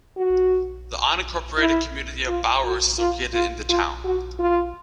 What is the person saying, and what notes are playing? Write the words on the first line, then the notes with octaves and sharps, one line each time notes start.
The unincorporated community of Bowers is located in the town.
F#4
E4
F4
F#4
F4
F4
F4
F#4
F4